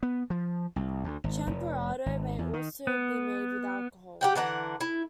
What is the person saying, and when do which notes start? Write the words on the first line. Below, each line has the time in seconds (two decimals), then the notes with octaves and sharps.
Champurrado may also be made with alcohol.
0.03 B3
0.30 F3
0.76 C2
1.04 D2
1.24 G#1
1.47 F1
2.06 G#1
2.38 E2
2.53 D#3
2.87 B3
4.21 G4 F#5 G5
4.36 D3 E3 F#5 A#5
4.81 E4